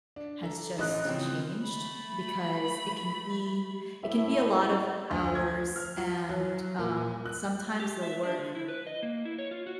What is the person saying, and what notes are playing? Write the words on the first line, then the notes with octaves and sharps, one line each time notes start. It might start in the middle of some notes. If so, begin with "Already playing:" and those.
has just changed because it can be it can be a lot of hours, and, um, sometimes the work,
D4
A4 A#5
A1 D#5 F#6
C#3 F3 C4
A3 B5
A2 E5
D2
G#6
F6
F4
F#3
A#2
F#6
G4
E5
D4
D3
E4
B4
D#5
A#3
E4
C#5
F4
F#4